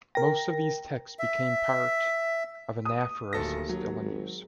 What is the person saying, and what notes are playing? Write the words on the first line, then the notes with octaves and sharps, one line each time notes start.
Most of these texts became parts of anaphoras still in use.
A#4 G5 A#6
E5
D#6
D1 D#2 A4 A#6
F#3
G#1